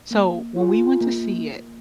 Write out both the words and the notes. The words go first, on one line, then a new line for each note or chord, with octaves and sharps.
So when we went to see it,
A#3
F4 G#4
A#3